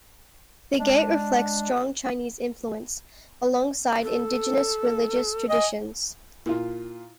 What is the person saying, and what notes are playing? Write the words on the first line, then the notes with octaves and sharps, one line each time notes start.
The gate reflects strong Chinese influence, alongside indigenous religious traditions.
G#3 D4
A4
D#5 G#5
A#2 E4 F4